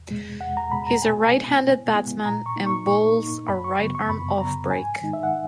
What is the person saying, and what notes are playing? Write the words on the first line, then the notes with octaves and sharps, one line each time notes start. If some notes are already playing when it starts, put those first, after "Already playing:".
He is a right-handed batsman and bowls a right-arm offbreak.
Already playing: E2
B2 G#3
E2 F#5
A#5
B2 G#3 B5
A#5
B2 G#5
G#3 B3 E4
B2
G#3 B3 E4
A#2 A#5
C#6
A#3 D#4
C#6
A#2 C#6
A#3 D#4
F#2 B5
C#6
C#3 F#3 B3
C#6
F#2 B5
C#3 F#3 B3 A#5
G#2 G#5
D#3 G#3 D#4
E5
F#5